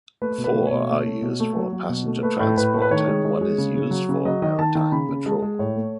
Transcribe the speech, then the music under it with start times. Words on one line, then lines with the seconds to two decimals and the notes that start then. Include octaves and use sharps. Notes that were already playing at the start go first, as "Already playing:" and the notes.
Four are used for passenger transport and one is used for maritime patrol.
0.22 A3 B4
0.38 B2
0.44 B4
0.55 A3
0.67 C#5
0.72 B2
0.89 A3
1.05 A3
1.22 B2
1.40 A3
1.56 F#3
1.73 F#3
1.89 B2
2.06 A3
2.23 A3 B4
2.40 A2
2.57 A2 B4
2.74 A3
2.82 B4
2.91 D#3 C#5
3.08 G#3
3.25 G#3
3.41 G#3
3.58 C#3
3.75 C#3
3.91 F#3
4.09 C#3
4.25 F#3 D#5
4.42 D#3 D#5
4.59 D#3 A5
4.75 D#3 A5
4.92 C#3 B5
5.09 C#3
5.26 G#3 A5
5.42 G#3
5.59 A2 C#5
5.76 A3